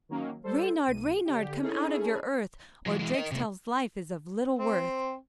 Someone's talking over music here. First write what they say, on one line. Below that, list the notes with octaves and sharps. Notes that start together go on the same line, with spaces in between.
'Reynard, Reynard, come out of your earth, Or Drakestail's life is of little worth.'
D#3 F#3 A#3 C#4
G3 A4 C5
B1 D#7
D3 G4
C#4 D#4 E4 G#4 A4
E3 F#3
E3 G#3
A#4 D#5
C3 A3
C4